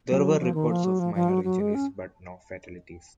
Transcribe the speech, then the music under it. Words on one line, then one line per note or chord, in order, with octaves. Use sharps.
There were reports of minor injuries but no fatalities.
F#3
F3
D#3
F3
F#3
F3
F3
F#3
F#3
G#3
C#4